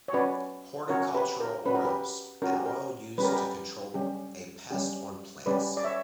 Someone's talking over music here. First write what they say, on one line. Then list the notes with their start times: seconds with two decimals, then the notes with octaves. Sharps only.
Horticultural oils: An oil used to control a pest on plants.
0.08 C#5
0.13 C#4 F#4 B4 D5
0.89 C#4 F#4 A#4 C#5
1.14 G4 B4
1.40 A#4
1.66 C#4 F#4 B4
1.75 A#4
1.85 G4 B4
2.42 C#4 F#4 A#4
2.53 G4
2.66 A#4
3.18 G3 C#4 G4 B4
3.24 A#4
3.32 G4 B4
3.94 G3 C#4 G4
4.71 G3 C#4 G4
5.46 G3 C#4 G4 B4 D5
5.77 D5
5.84 C#5 E5